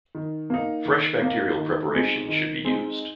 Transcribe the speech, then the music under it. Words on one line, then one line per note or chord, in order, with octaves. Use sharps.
Fresh bacterial preparations should be used.
D#3
A#3 D#4
D#3
A#3 D#4
D#3
G#3 C4 D#4
D#3
G#3 C4 D#4